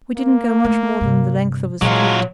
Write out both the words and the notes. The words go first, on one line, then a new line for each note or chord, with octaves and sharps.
We didn't go much more than the length of a street.
A#3
A3
G2 C3
A#2 F#3 G#3 F4